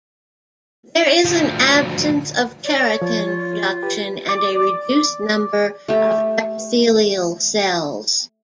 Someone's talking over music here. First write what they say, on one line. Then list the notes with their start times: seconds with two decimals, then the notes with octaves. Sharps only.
There is an absence of keratin production and a reduced number of epithelial cells.
1.25 D2 F3
2.64 C#5 D5
3.02 F3 F4
3.24 F4
3.83 G4 B4
4.29 D5
5.88 A3 G4